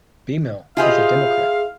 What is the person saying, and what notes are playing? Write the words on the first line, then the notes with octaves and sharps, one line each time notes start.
Beimel is a Democrat.
E4 F4 G4 G#4 C5 D#5 F5